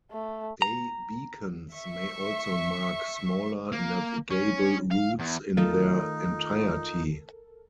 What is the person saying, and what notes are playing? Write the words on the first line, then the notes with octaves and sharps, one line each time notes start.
Day beacons may also mark smaller navigable routes in their entirety.
A3
A#5
E5 C#6
A#3
C#4
F5
E2
D#3 A3 D#4 F4 A4 A#4